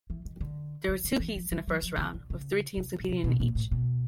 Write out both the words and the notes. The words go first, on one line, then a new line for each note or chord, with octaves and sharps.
There were two heats in the first round, with three teams competing in each.
E3
D#3
D3
D3
D3
E3
F3
F#3
F#3
F3
D3
D3
C#3
C3
C#3
C3
B2
A#2
A2
B2